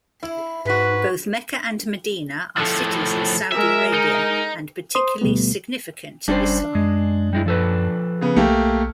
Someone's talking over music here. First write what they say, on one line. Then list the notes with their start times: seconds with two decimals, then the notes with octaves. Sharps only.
Both Mecca and Medina are cities in Saudi Arabia and particularly significant to Islam.
0.23 E4
0.65 G#2 G#3 F#4 B4
2.57 A2 F3 A4
3.52 G#3 A#4 E5
3.94 D#4
4.95 C5 C6 D#6
5.21 D2 B2 G3 A3 B3
6.28 F#1 G3 C#4 D4 C5
6.75 F#2 G#3
7.33 G3 G#3 E4
7.46 F3 A4 B4
8.21 C#3 B3
8.36 B1 A3 A#3 G4